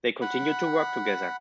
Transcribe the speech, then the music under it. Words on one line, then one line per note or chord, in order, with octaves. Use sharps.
They continue to work together.
F#5 B5